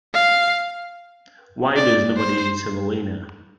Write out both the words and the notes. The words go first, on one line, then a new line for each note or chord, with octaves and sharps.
Why does nobody eat semolina?
F5
D5
C5